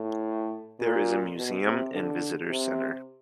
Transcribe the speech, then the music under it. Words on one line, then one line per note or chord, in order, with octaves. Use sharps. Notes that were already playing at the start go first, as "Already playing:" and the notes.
There is a museum and visitors' center.
Already playing: A2
A#2
B2
C3
D3
C3